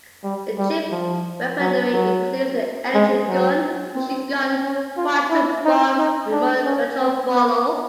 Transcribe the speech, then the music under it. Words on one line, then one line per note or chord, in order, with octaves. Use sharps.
The chip-weaponry includes the Energy Gun, Fusion Gun, Quantum Bombs and Remote-Controlled Bolo.
G3
G3
F3
F#3
F#3
G#3
F#3
C4
C#4
F4
E4
D#4
D#4
D4
C#4
C4
B3